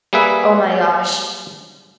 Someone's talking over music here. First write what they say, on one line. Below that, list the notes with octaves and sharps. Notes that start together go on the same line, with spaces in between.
Oh my gosh.
G3 A#3 G#4 B4 E5